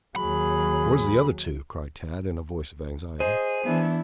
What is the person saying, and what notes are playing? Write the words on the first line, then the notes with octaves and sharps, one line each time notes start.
"Where's the other two?" cried Tad in a voice of anxiety.
D#2 F#3 G#4 B5
G#4 C5 D#5
E3 B3 D4 E4